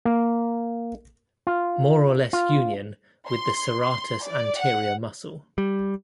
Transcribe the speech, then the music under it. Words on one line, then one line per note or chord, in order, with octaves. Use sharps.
More or less union with the serratus anterior muscle.
A#3
F4
F4
C6
C6
D5
F#5
G3